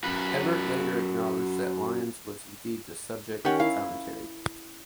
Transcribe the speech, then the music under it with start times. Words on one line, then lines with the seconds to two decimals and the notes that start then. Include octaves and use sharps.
Ebert later acknowledged that Lyons was indeed the subject of the commentary.
0.04 F#2 B4
3.45 D#3 C#4 G4 A#4 F#5
3.60 E4 F5